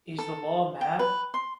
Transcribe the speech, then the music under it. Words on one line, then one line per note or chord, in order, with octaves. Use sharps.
Is the law mad?
A4
G5
B4
C6